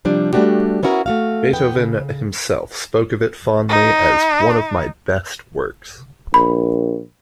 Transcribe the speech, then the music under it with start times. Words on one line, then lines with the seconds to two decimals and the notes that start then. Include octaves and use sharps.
Beethoven himself spoke of it fondly as "one of my best works".
0.05 C3 F3 G3 D4
0.33 G3 A3 A#3 D4 F#4 G4
0.83 B3 C#4 E4 F#4 A#4
1.06 A3 F#4 F5
1.53 E2 B3 G5
1.76 C#3
3.69 D#4
6.34 A#1 B5